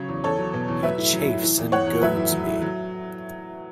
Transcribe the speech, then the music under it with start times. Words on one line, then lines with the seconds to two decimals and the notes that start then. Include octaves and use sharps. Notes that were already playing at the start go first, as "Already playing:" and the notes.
He chafes and goads me!
Already playing: C#3 F#3 C#5
0.09 E2
0.24 E2 A4 C#5
0.38 F#3
0.54 B2
0.68 E2
0.83 F#3 B4 E5
0.98 A2
1.13 F#3
1.28 A2
1.43 E3
1.58 E2
1.72 E3 C#5 F#5
1.87 E2
2.02 F#3 B4 E5
2.17 A2
2.32 F#3
2.46 A2
2.62 F#3